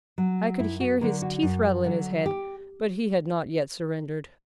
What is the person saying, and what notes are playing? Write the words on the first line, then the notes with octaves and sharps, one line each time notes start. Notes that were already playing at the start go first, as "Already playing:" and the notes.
I could hear his teeth rattle in his head, but he had not yet surrendered.
F#3
F#2 E4
F#4
D3 F#3 A#4
F#4
F#2
D3 F#3
G4